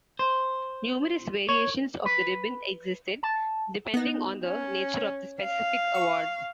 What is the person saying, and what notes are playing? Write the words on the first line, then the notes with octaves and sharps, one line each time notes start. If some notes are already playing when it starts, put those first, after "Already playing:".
Numerous variations of the ribbon existed, depending on the nature of the specific award.
C5
C#5
B4
A5
B3 D#4
C#4
F5
C#6